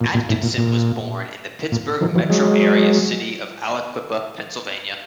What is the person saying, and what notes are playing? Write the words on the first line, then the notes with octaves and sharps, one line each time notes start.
Atkinson was born in the Pittsburgh Metro Area city of Aliquippa, Pennsylvania.
A#2
A#2
A2
A#2
A#2
A#2
D#3 F3
E3 F#3
F#3 G#3